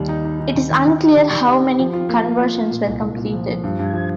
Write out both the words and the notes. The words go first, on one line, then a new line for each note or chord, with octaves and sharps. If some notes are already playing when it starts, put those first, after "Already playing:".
It is unclear how many conversions were completed.
Already playing: D#2 G3
D#4
D#4
D#4
D#2
D#3
D#3
G4
D#3
D#3
G4
G4
F3
F4
A#3
F4
F4
F4
A#2
C2
C2
A#2
F3
F3
G2
G2
F3